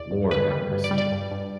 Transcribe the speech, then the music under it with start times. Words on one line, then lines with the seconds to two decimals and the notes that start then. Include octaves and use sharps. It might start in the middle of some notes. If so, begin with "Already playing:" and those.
Lord, have mercy.
Already playing: E2 B2 D5
0.11 E2
0.31 G2 B4
0.51 G3
0.72 G2
0.84 D5
0.91 G3
0.98 D5
1.12 G2
1.31 G2